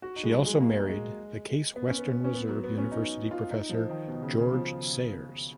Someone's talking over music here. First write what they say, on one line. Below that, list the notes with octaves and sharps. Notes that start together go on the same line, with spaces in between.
She also married the Case Western Reserve University Professor George Sayers.
F#4
D#4
G#3
F#3
G#3
A#3
A#3
G#3
B3
C#4
B3
C#4
B3
F#3
B3
C#4
D#4
F4
D#4
F3
D#3
B2
C#3
C#3
F3